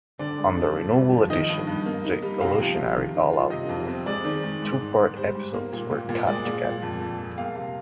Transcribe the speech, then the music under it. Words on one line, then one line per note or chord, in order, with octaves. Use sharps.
On the renewal edition, the "Illusionary All-Out War" two-part episodes were cut together.
D3 D5
G#3
F2
F3
G2
F3
D#3 D#5
G2
G2
A#3
D#4
G3
C3 F5
F3
C3
D#3
D#3
F4
C3 D#5
F2
C4
G#3 D5
D#3
G#3
G#2
G#2
G#2
G3 C5
G#2
A#3
A#2
A#2
A#2
G#3 D5
A#2
A#2
F2
F2
G#3
A#3 F5
C3